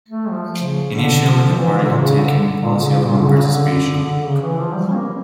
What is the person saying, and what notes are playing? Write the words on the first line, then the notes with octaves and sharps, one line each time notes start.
Initially the party had taken the policy of non-participation.
A3
F3
C#3
D3
F3
D3
E3
D3
A#2
C#3
D3
A#2
D3
C#3
A#2
D3
C#3
C#3
D3
D3
C#3
E3
F3
G3
C#4
A#3